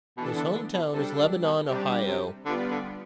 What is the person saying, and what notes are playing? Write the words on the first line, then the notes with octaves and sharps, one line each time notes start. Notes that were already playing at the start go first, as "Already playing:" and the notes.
His hometown is Lebanon, Ohio.
B2 E3 B3 D4 A4
D3
D3
B2
C3 G3 D4 A4
D3
B2
C3 G3 D4 G4
C3
D3 G3 B3 F4 B4 D5
D3